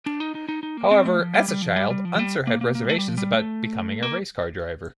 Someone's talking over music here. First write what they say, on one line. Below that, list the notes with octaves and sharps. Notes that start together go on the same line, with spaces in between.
However, as a child, Unser had reservations about becoming a race car driver.
D4
D#4
D#4
D#4
D#4
A#3
C4
A3
F3
G3
G3
F3
G3
G3
F3
F3
G3
A#3
A#3
A#3
G3
A3
G3
F3
G3
A3
A#3